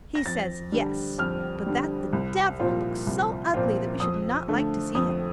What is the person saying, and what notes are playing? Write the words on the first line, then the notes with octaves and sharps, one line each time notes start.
He says ''Yes;'' but that the Devil looks so ugly that we should not like to see him.'
A#6
F2 A6
D3 G3
F2 F6
D3 G3
C2
A#2 F3 C4 F4
C2
A#2 F3 C4 F4
F2 D#6
D3 A3
F2 D#6